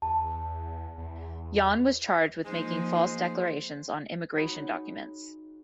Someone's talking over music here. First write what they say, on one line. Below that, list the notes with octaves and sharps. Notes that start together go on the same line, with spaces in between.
Yan was charged with making false declarations on immigration documents.
E2 A5
E2
F7
F3 G#3 A#3 D#4 C5
D#4 F#4 G#4 C#5 D#5 B5